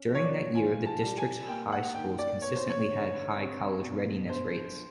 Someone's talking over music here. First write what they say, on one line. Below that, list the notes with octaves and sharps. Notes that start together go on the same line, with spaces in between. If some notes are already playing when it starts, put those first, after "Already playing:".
During that year the district's high schools consistently had high college readiness rates.
Already playing: C#4
F3
C#5
D5
F4 G#5
A5
G3
G#5
A#3 G5
F#5
D#3 G5
D5
B3 C#5
C5
C#5
D3
C4
B2
G1 C5